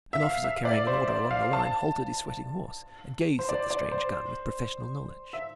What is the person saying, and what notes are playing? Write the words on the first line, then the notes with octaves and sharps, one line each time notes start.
An officer carrying an order along the line halted his sweating horse and gazed at the strange gun with professional knowledge.
E5
F5
E5
D5
C5
D5
F5
A5
C5
D5
D5
C5
E5